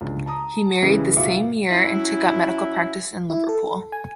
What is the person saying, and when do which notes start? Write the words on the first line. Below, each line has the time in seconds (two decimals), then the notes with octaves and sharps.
He married the same year and took up medical practice in Liverpool.
0.01 C#2 D3
0.26 A5 A#5 D#6
0.82 C#3 E3 G3 C#4 E4 G#4
1.16 D2 B2 F4 E5 D6 C#7
1.70 F#3 C#4 E4
3.30 E4
3.49 A4
3.92 G#5